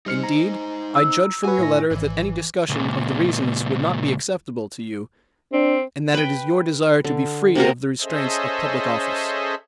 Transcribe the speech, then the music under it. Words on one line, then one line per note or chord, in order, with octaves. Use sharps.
Indeed, I judge from your letter that any discussion of the reasons would not be acceptable to you and that it is your desire to be free of the restraints of public office.
G3 D#4 C5 F6 C#7
A#5
E6
F#4 B4 C#5 G#5
A2 E4 A#6
G#1 E3
C#2 A#2
C4 D4
B4 G5
D3
C3 A#3 F#4 A#4
C#4 G#4 A4 C5 D#5 E5